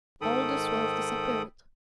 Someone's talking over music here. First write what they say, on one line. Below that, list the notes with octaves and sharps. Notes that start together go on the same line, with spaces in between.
All this wealth disappeared.
G#2 D#3 A4 G5 B5 D#6